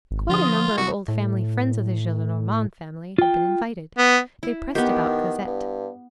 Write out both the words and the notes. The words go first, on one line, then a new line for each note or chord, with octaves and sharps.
Quite a number of old family friends of the Gillenormand family had been invited; they pressed about Cosette.
G#1
D3 F3 F4 D#6
C2 F#4
A2
F4 G5
B3
E4
D#3 B3 G4
G2